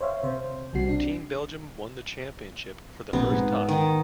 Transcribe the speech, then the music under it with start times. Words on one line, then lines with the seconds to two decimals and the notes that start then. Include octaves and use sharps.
Team Belgium won the championship for the first time.
0.01 C5 C#5 E5 F5
0.23 C3 C5
0.73 B1 C3 G3 F#4 C7
0.89 D4
3.13 A#1 C3 B3
3.32 G#2
3.69 D#3